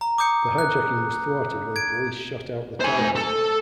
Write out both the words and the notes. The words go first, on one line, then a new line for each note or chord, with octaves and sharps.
The hijacking was thwarted when police shot out the tires.
A#5
D6 D#6 G6 C#7
F#6
G#6 D7
C5 G#5
A4